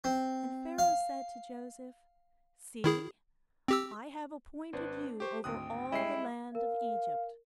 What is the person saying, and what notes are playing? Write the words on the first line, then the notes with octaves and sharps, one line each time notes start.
And Pharaoh said to Joseph, See, I have appointed you over all the land of Egypt.
C4
F5
D#3 E4 G#4
C4 G4 E6
G#1 C4 D4 B4
G4 C5 C#6
G#1 D2 G5 D#6 F#6
G3 G#3 E4 D#5 C7
A#4 F5